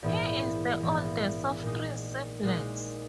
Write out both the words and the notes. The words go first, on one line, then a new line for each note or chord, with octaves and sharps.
He is the oldest of three siblings.
A#1 G#2 E3 B3 E4
A#1 G#2 E3 B3 E4
A#2 G#3 D#4
A#2 G#3 D#4